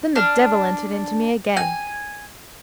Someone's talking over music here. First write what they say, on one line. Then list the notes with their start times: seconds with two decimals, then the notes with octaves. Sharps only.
Then the devil entered into me again.
0.15 D4 F6
1.57 G#5